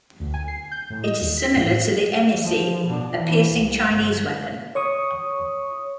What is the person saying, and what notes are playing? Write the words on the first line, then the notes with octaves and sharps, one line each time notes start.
It is similar to the emeici, a piercing Chinese weapon.
D2
G#5
C7
G6
A2
D#5
D#2
B6
A2
G#2
F3
B2 D4
E3
C2
G1
C#5 C#6 D#6